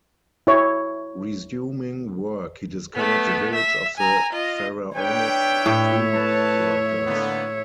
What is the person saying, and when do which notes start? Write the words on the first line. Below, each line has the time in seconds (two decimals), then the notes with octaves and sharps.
Resuming work, he discovered the village of the Pharaonic tomb-workers.
0.47 E4 C#5
2.95 A3 B3
3.54 E5
3.97 G#5 A#5
4.33 F4 D#5
4.96 D4 B4 C#5 E5 G5
5.66 A2
6.15 B4 A5
7.06 D3 A#3 B3